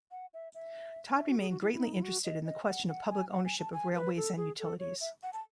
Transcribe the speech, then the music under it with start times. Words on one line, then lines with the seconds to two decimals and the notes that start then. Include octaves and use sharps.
Todd remained greatly interested in the question of public ownership of railways and utilities.
0.11 F#5
0.34 E5
0.54 E5
1.18 E5
1.28 F#4
1.40 G#4
1.50 F#4
1.61 E4
1.72 E4
1.82 D#4
1.93 E4
2.03 F#4
2.25 D#5
2.45 D#5
2.67 F#5
2.88 F#5
3.10 G#5
3.31 F#5
3.45 G#5
3.59 A5
3.73 G#5
3.95 B4
4.17 A4
4.37 G#4
4.59 A4
4.80 C#5
5.01 E5
5.23 F#5
5.33 A5